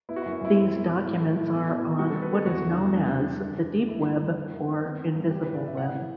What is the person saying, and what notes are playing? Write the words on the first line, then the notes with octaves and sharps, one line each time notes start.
These documents are on what is known as the deep Web, or invisible Web.
B3 E4
F#4
E4
F#2
F#4
F#2 E4
C4 E4
B2
C4
A2
A3
A2
B2
B2
B2
G3 F#4
A4
C4
B4
D3 A4
E2 F#4
E2
D4
E2
G3 D4
G3
G3
F#2
F#2
A3
G2 E4
E3
G3
F#2
F#2
C4
B3
B3
G2
F#3 G4
B4
A2
D5
A2 E5
C3 F#5
E3